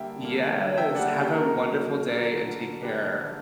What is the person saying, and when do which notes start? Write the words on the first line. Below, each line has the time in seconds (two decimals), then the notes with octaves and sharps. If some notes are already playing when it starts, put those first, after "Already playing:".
Yes, have a wonderful day and take care.
Already playing: D3 G3 A#3 E5 G5
0.21 D3 G3 A#3
0.59 D3 G3 A#3
0.78 E5 G5
0.95 D3 G3 A#3 D5 F#5
1.21 G4
1.33 C#3 F#3 A#3 A#4
1.71 C#3 F#3 A#3
2.08 D3 F#3 A#3
2.45 D3 F#3 A#3
2.83 D3 A#3 G4 B4
3.20 D3 A#3